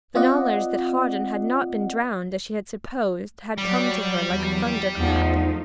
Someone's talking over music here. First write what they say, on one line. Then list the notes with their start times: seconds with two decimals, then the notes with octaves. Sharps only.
The knowledge that Hawdon had not been drowned as she had supposed, had come to her like a thunderclap.
0.15 C4 F4 D5 D#5 F#5
3.58 F#3 G3 D5
4.29 E2 F#3
4.97 E2 F3 A3 D#4